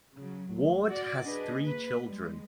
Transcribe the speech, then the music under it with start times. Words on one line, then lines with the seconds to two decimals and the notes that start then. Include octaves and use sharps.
Ward has three children.
0.15 C#3 F#3
0.52 D2
0.89 F#4 D5
1.24 D4 G#4 B4 D#5
1.57 A#3 B4
2.06 G3 G#3